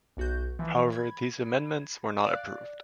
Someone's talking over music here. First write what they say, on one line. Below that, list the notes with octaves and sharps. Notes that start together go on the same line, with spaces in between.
However, these amendments were not approved.
B1 F#4 G6
E3 F3
B5 G#6
D5 F5 F#6